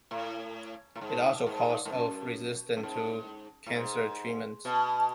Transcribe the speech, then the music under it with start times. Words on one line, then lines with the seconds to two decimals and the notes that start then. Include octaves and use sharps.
It is also a cause of resistance to cancer treatments.
0.11 A2
0.96 A2
1.01 G#2
1.46 G#2
1.85 G#2
1.92 F#2
2.77 F#2
2.83 G#2
3.66 A2
3.74 G#2
4.65 B2